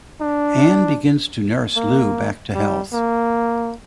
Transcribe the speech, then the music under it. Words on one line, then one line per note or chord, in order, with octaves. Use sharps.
Anne begins to nurse Lou back to health.
D4
A#3
G3
A#3